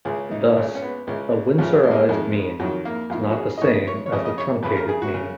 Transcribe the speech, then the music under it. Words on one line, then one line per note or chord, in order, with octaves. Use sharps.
Thus a winsorized mean is not the same as a truncated mean.
C#2 C#3 G#4
D#4
C#2 C#3
C#4
B3
C#2 C#3 G#3
C#2 C#3 F3
F#3
G#3
A#3
G#3
F2 D#3 G#3
F2 D#3 F#3
A#3
F2 D#3 F4
F#4
G#4
D#5
F2 D#3 C#5
C#5
C#5
F2 C#3 D#5
D#5
C#5
F2 C#3 B4
A#4
G#4
F#4
C#3